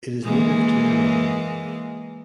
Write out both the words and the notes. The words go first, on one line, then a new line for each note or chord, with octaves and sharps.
It is native to Iran.
E3 G#3 A#3